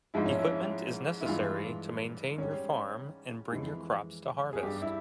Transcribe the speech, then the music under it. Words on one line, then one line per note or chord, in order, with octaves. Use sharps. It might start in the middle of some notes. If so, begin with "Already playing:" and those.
Equipment is necessary to maintain your farm and bring your crops to harvest.
G#2 F3 G#3 E4
C#4
E4
E4
G2 E3 G#3 F4
G#2 G3 C#4
F2 E3 G#3
G#4
G2 G3 G4
E4